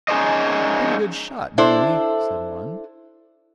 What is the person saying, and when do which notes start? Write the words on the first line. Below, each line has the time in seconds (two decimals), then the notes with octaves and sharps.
"A pretty good shot, Mealy!" said one.
0.08 C#4 D#4 G#4 A#4 C5 D#5
1.58 D4 E4 A4 C5